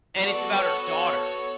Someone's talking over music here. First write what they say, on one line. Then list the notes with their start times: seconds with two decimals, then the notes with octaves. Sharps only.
and it's about her daughter.
0.24 B3 F#4 A4 D5
0.56 C#5
0.86 C#5